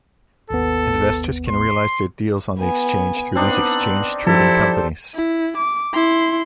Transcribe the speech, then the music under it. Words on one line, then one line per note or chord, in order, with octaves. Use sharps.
Investors can realize their deals on the exchange through these exchange-trading companies.
G#1 D#2 B3 A4
C6
B3 G#5
B3 C4 D4 D#4 F#6
F3 E4 G4 A4 C5
E4
D6
E4 C6